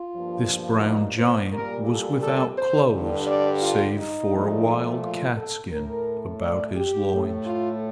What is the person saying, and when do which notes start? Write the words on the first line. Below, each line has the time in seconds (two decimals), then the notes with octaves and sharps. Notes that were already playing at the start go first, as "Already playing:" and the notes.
This brown giant was without clothes save for a wild-cat-skin about his loins.
Already playing: F4
0.13 G2 F3 A#3
0.84 D#4
1.19 C5
1.53 A#2 G3 A#3 A#4
1.88 A4
2.23 A4
2.58 C5
2.93 G2 D3 G3
3.27 D5
3.63 F4
3.98 D#4
4.33 A#2 F3 A3
5.03 F4
5.38 A4
5.72 A2 A3 A#4
6.43 D5
6.77 G4
7.12 A2 A3
7.47 F4